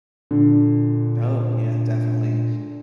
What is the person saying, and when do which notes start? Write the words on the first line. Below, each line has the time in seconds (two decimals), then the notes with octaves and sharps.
Oh, yeah, definitely
0.31 A#2 D3